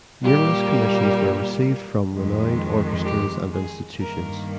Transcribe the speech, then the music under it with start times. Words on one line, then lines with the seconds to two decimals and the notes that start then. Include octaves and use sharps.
Numerous commissions were received from renowned orchestras and institutions.
0.23 A#2 G3 A#3 G4
2.11 F2 D#3 G#3
3.05 G4
3.53 G#4
4.00 G2 D#3 A#3 A#4